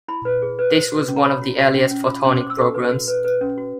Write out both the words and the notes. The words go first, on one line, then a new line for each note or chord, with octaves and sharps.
This was one of the earliest photonic programs.
E4 B5
B4
G#4
B4
C5
F#4
C#4
A#5
C#5 B5
F#4
F#4
C#4
C#4
F4
C#4 C6
D6
C5
E6
A4 D#6
B4
F#4
B4
B4
C#4
F#4